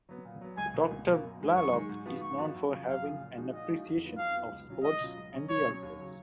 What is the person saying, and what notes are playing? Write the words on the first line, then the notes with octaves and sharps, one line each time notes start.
Doctor Blalock is known for having an appreciation of sports and the outdoors.
F#3 B3
A#2
F#3 B3
C#2 G#5
B2 A#3
C#2
B2 A#3
F#2
D#3 G#3
F#2 C#6
D#3 G#3
G#2
F3 B3 F#4
G#2 C#6
F3 B3 F#4
F#2
C#3 F3
F#2 F5
C#3 F3
A#2
F3 G#3 D#4 F#4
A#2 D#5
F3 G#3 D#4 F#4
F2
D#3 F#3 B3 F4
F2 F5
D#3 F#3 B3 F4
C#2
B2 F#3 C#4 F4
C#2 D#5
B2 F#3 C#4 F4
C#2
B2 F#3 C#4
C#2 C#5
B2 F#3 C#4
D#2
C#3 F#3